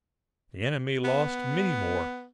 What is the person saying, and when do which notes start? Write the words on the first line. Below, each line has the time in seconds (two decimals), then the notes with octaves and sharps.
The enemy lost many more.
1.04 B3